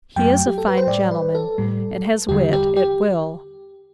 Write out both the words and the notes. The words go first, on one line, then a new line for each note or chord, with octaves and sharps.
He is a fine gentleman, and has wit at will.
F#2 F#3 A3 G5
G4
A4
B4
C5
A2 G3 D5
B4
A4
A2 G3
E2 D3 G3 G4
G4
G4